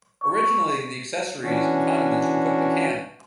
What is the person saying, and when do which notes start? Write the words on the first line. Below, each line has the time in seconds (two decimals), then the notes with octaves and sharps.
Originally, the accessories and condiments were put in a can.
0.22 C#6
1.43 E3 C#4 D4 F#4